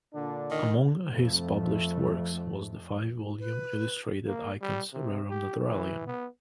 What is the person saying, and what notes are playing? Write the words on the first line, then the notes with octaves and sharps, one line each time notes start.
Among his published works was the five-volume illustrated "Icones rerum naturalium".
A#2 D3 D4
D#3
F2 A3
B4
A#3
G3
C3
G4
E3
B3